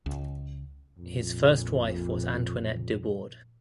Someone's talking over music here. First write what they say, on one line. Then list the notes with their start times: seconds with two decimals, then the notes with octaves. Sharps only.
His first wife was Antoinette de Bord.
0.06 C#2
0.97 A#1 F2 A#2